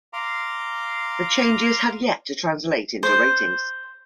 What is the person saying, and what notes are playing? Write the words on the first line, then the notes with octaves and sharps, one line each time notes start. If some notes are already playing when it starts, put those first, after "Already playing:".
The changes had yet to translate into ratings.
F5 A#5 C6 D6
C5